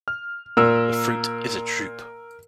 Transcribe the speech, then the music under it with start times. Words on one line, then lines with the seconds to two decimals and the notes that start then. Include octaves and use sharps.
The fruit is a drupe.
0.08 F6
0.57 A#2 A#4 E6